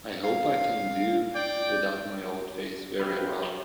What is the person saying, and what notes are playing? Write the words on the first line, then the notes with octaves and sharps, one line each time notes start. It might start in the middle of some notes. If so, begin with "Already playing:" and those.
I hope I can do without my old face very well.
F5
D5 G5
G#2 C3 F#3 B4 F5 G5